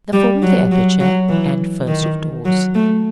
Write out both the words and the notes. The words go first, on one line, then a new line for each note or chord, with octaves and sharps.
The form of the aperture: and first of doors.
G3
F#3
F#3
F#3
E3
D#3
F#3
A3